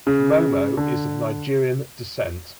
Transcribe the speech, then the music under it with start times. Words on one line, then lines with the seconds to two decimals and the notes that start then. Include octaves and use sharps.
Momoh is of Nigerian descent.
0.07 C#3
0.77 D3